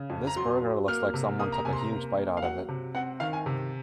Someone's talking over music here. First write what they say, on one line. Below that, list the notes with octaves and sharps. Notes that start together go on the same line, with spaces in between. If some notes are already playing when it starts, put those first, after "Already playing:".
This burger looks like someone took a huge bite out of it.
Already playing: C#3
F2
A#5
F#3 C6
F#3
A#3 F6
C3
A#3 D#6
A#5
C3 G#5
C6
A#5
A#3
A#3
F5
F#3 F#5
C3
C4 F#5
D#3 F5
G#5
C3